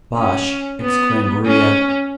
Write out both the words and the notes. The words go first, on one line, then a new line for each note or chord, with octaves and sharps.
"Bosh!" exclaimed Maria.
C#4
B3
C#4